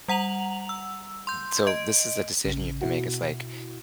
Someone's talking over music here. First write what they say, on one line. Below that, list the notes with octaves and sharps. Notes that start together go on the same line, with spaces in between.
n so, this is a decision you have to make, it's, like,
G3 F#5 A#5 F7 F#7
E6
C6 G6
D#5 D7
A1 C#3
B2 E4 F#4